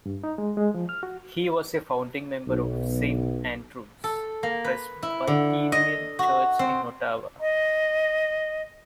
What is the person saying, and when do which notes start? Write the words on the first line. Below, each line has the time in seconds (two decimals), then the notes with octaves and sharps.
He was a founding member of Saint Andrew's Presbyterian Church in Ottawa.
0.06 G2
0.24 D#4
0.38 G#3
0.57 G#3
0.74 F3
0.89 F6
1.03 F#4
2.47 B1
4.04 A4
4.43 A#3
4.64 B4
5.03 E4
5.27 D3
5.72 D#5
6.19 F#4
6.59 C4
7.40 D#5